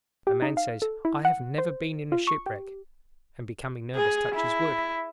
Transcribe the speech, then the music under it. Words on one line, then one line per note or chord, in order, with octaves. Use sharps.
A man says, "I have never been in a shipwreck," and becoming nervous touches wood.
G4
D#4
F5
A4
E4
F#5
C5
F4
C#6
G4
G#4
E4